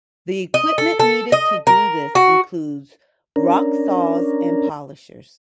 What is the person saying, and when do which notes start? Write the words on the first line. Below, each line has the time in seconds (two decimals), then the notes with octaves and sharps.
The equipment needed to do this includes rock saws and polishers.
0.54 D#5
0.78 A4
0.99 A4
1.32 D#5
1.67 A#4
2.15 F#4
3.36 C#4 D4 A#4